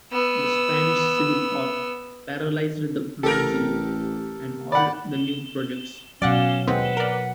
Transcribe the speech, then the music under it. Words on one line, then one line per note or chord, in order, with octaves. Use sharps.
The Spanish Civil War paralyzed the magazine and all the new projects.
B3 E6
A1 G4 A4 A#4
D5 F#5 B5
B2 F#3 C#4 D5 F5 F#5
D#2 G#3 C4 B4 F#5
A#4 D5